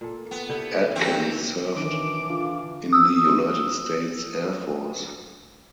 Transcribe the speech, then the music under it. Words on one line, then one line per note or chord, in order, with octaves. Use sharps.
Adkins served in the United States Air Force.
A#2 A4
B3
D3 E4 G4
E3 C4
D#3 E3 D4 D6 D7
D3 F4
D#6 E6